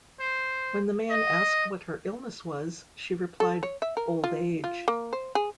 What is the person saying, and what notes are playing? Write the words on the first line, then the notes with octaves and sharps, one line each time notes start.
When the man asked what her illness was she replied, "Old age".
C5
D#5
A4
C#5
E5
A#4
F4
F4
A#3
C5
G#4